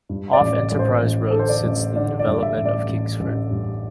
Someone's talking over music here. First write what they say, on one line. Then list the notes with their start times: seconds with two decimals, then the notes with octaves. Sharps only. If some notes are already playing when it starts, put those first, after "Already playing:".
Off Enterprise Road sits the development of Kingsford.
0.09 G2
0.33 D5
0.41 A1
0.57 D5
0.72 A1
0.79 C5
1.03 A1
1.30 D3 A4
1.39 C5
1.49 D5
1.64 A1
1.96 D3 D5
2.19 D5
2.27 G2
2.42 E5
2.58 A1
2.65 D5
2.89 A1
3.20 A1
3.51 G2